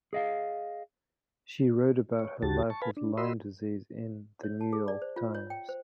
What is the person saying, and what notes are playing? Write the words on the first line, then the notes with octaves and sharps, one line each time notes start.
She wrote about her life with Lyme disease in "The New York Times".
G#4 D#5 F5
C#5
D2 C#3 F#4 G4 A5 A6
A5 C#6
B4 F5 G#5 A5 B5
D4
F#4 A#4 D#5 B5 C6 E6
C#5
A5
G#4
D5
C5
F4
C#5
G5
C5